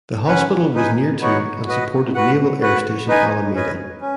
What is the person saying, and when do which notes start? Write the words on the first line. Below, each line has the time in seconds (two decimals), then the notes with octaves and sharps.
The hospital was near to and supported Naval Air Station Alameda.
0.27 C#4 B4 F#5
0.75 D#4 B4 G#5
1.21 B3 D#4 F#4 C#5 F#5
1.67 F#4 B4 D#5
2.15 F#4 B4 F#5
2.61 F#4 B4 F#5
3.08 D#4 B4 D#5 G#5
3.55 C#4 B4 D#5 G#5
4.01 C#4